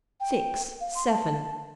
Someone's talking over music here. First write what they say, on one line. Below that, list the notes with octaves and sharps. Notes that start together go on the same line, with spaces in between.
Six! Seven!
G5
F5
C6
A5